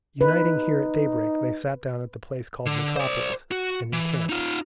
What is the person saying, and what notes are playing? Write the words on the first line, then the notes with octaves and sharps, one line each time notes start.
Uniting here at daybreak, they sat down at the place called Metropolis, and encamped.
D#4 B4
D3
C5 D5
F#4
E3
D#4 F4